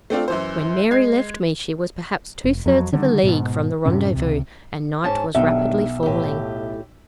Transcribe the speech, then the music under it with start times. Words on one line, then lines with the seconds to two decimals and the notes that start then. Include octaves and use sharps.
When Mary left me she was perhaps two-thirds of a league from the rendezvous, and night was rapidly falling.
0.10 A3 C4 D4 F4
0.28 F#2 E3 C5
0.91 G#3 G#6 C7
2.44 F1
2.66 F2 F#3
2.92 D3 D#3 F3 G3
3.23 G#2 B2
3.85 F#2 A2 C3 C#4
4.12 C#2 C3
5.04 G#2 C#4 A5
5.35 B1 G2 D#3 E5
6.03 A2 G4